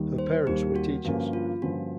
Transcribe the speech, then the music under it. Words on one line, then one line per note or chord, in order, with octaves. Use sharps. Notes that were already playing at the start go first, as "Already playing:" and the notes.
Her parents were teachers.
Already playing: D#2 D#3 G3
C5
D#2 D#3 G3 G4
F#4
G2 D3 F3 A#3 C#4 F#4
F4
G2 D3 F3 A#3 C#4 F#4